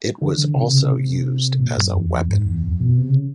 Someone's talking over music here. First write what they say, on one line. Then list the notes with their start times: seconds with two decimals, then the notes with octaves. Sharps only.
It was also used as a weapon.
0.21 D3
0.38 D3
0.56 C3
0.72 C#3
0.90 C3
1.59 A#2
1.77 F#2
1.94 E2
2.03 F2
2.12 E2
2.20 F2
2.28 G#2
2.46 E2
2.63 F2
2.80 B2
2.98 C3
3.09 C#3